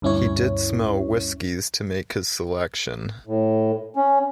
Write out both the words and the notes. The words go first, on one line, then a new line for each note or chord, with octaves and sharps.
He did smell whiskies to make his selection.
D2 G2 C#4 E4 C#5
A2
C#4